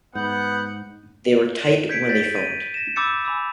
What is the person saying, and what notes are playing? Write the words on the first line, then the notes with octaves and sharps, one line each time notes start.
They were tight when they phoned.
G#2 B3 F#5 G6
G6 G#6 B6 C#7 D7
G6 A6 B6
A6 D#7
A#6 E7
B5 D6 E6 G6 A6 C#7
G#5 B5 D6 E6